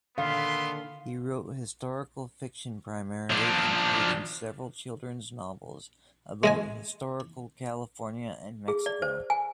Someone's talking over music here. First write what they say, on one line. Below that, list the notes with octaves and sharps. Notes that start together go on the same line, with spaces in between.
He wrote historical fiction, primarily, including several children's novels about historical California and Mexico.
A#2 D3 D#3 A3 B3 F5 C6
F3 D4
G#3 D#5 G#5
G#4
D5
C5
G#5